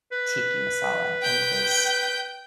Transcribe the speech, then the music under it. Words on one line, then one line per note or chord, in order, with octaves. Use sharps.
tiki masala and it is
B4
G5 G6